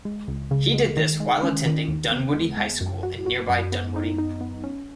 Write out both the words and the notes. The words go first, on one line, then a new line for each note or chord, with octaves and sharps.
He did this while attending Dunwoody High School in nearby Dunwoody.
G#3
C#2
C#3
G#3
D#3
G#3
C#4
D#3
D#2
B3
G#3
G#3
F#2
F#4
F#4
F#2
B3
D#4
D#4
B3
C#4